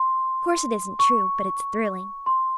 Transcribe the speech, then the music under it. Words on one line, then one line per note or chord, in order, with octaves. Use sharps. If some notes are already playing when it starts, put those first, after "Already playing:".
"Of course it isn't true, but it's thrilling."
Already playing: C6
C#6
C6